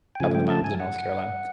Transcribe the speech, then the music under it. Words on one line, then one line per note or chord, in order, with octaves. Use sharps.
up in the mountains in North Carolina.
G5
C#3 F3 A3 G#5
G5
A5
G#5
F#5